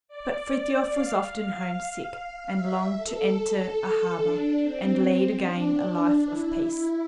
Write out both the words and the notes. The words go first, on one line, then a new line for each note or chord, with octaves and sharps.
But Frithiof was often homesick, and longed to enter a harbor, and lead again a life of peace.
D5
F5
E5
A4
D4
C4
D4
E4
E4